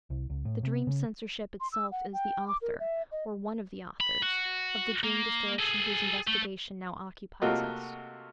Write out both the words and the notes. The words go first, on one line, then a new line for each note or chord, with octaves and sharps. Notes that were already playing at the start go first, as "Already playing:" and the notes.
The dream censorship itself is the author, or one of the authors, of the dream distortion whose investigation now occupies us.
C2
C#2
A2
C3
C#3
C6
E6
F#5
G5
D6
A#4
E5
D#5
B5
F#4
A#3
G#4 A4
A3
C3 A3 A#3 F4 F#4 D#5